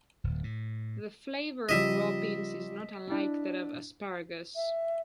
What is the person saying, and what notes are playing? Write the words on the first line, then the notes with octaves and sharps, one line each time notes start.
The flavour of raw beans is not unlike that of asparagus.
D1
A2
C#3 F3 G3 D#5 E5
D4 E4
E5